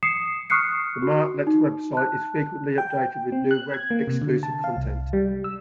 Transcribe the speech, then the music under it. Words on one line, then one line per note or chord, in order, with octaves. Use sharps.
The Martlet's website is frequently updated with new web-exclusive content.
D#6 C7 C#7 E7
C#6 D#6 F6 F#6 C7 C#7
F#4
D#4
A5 F#6
G5
C4
F#6
G#6
A#3
C3
D3
A5
F5
C2
G3
E6